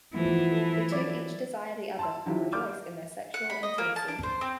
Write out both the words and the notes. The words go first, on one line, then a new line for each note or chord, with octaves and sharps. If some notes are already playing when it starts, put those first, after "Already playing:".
The two each desire the other and rejoice in their sexual intimacy.
E3 F3 A3 B3
A4
F#3 D5
A5 C6 E6
D#3 F#3 E4 F4 G4
G4 D5 D6 F6 G6
F#5
B5
D#5
A#3
A5
D4
C5
C4